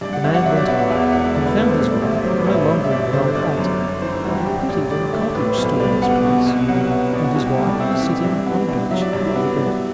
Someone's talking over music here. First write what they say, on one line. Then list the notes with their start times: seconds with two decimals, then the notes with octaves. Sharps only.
The man went home and found his wife no longer in the old hut, but a pretty little cottage stood in its place, and his wife was sitting on a bench by the door.
0.01 G2 D5
0.13 F#5
0.24 G1 E5
0.34 F#5
0.46 F#3 E5
0.57 D5
0.68 B3 E5
0.79 F#5
0.90 E2 E5
1.02 E5
1.12 E1 F#5
1.24 E5
1.35 D3 D5
1.46 B4
1.57 A3 B4
1.69 C5
1.79 G2 C5
1.91 D5
2.02 A1 E5
2.13 E5
2.24 F#3 C5
2.39 B4
2.46 A1
2.54 E5
2.68 G2 E5
2.85 E5
2.90 G1 D5
3.13 D3 C5
3.35 G1 D5
3.57 F#2
3.80 G1
4.02 E3 C5
4.13 E4
4.24 G3 F#4
4.35 G4
4.46 G2 G4
4.69 A1 D5
4.91 D3 D5
5.13 A3 E5
5.35 A2 B4
5.50 C5
5.57 B1
5.65 B4
5.80 G3 D5
6.02 B3 F#5
6.24 B2
6.46 C2
6.69 F#3 F#5
6.91 B3 E5
7.13 B2 D5
7.24 F#4
7.35 C2 E4
7.47 G4
7.58 G3 A4
7.69 D5
7.80 C4 E5
7.91 E5
8.02 E3
8.24 G2
8.46 B3
8.69 G2
8.91 F#3 E5
9.02 D5
9.13 G2
9.25 E4
9.36 B3
9.58 G2